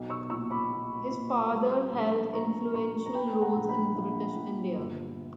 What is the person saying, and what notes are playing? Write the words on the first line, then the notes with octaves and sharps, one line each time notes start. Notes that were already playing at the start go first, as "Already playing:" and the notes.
His father held influential roles in British India.
Already playing: B1
C#6 E6
A#2 C#6 E6
B5 D6
A#2
A#2
G3
A#1
A#1 A#5 C#6
A#1 A#5 C#6
A#5
A#2 G5 B5
G5
F#5 A#5
A#1
G5 B5
A#1
A#2
G1